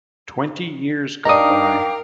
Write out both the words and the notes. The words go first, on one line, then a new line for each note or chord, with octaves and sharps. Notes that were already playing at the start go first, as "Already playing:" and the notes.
Twenty years go by.
D4 D#4 A#4 F5 G5 A#5 D6 D#6